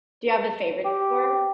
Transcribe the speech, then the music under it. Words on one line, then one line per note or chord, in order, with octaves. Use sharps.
Do you have any favorite sport?
G4